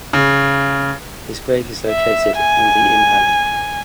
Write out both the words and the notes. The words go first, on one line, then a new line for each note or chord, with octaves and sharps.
His grave is located on the in Halle.
C#3
E5
G#5